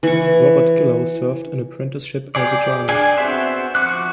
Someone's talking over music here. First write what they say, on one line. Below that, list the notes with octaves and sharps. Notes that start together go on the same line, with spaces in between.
Robert Gillow served an apprenticeship as a joiner.
E3 C#6
G4 G#4 D5
D4 G4 G#4 D5 G#5
B3 C4 F#4 C5 E5
F3 F#4 D6 F#6